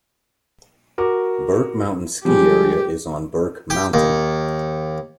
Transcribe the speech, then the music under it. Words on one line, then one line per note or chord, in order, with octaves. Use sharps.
Burke Mountain Ski Area is on Burke Mountain.
F#4 A#4 D6
F3 G3 G#3 G4
G4
D#2